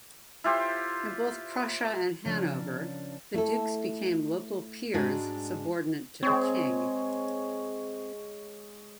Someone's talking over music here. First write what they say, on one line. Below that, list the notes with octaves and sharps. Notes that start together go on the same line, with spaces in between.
In both Prussia and Hanover, the dukes became local peers subordinate to the king.
E4 F4 G4 C5
C#3 F3 C#4 D4 A#4
A3 E4 A4
G#2 G#3 D4 F#4 D#5
G#3 C4 C#5